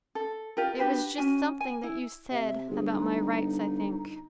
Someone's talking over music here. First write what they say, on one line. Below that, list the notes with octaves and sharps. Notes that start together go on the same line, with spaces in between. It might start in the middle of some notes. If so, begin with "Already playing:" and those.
It was just something that you said--about my rights, I think.
A4
F4 G4 A#4
D4 F#4 G4 B4
C#4 F#4 G#5
G#5
E4
C3 E5
G1 G#4
D#4